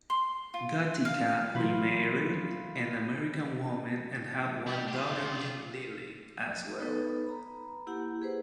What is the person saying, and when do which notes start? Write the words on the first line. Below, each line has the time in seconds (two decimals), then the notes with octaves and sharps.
Gatica remarried an American woman and had one daughter named Lily, as well.
0.10 C6
0.54 F4
1.05 F5
1.55 E3 F#3 F4 F5 A#5 B5
4.67 G3
4.88 F4 G4
6.79 B3 D#4 A4 B4
7.27 A#5 B5
7.87 A#3 E4 G4 F#5
8.22 G#4 B4 C5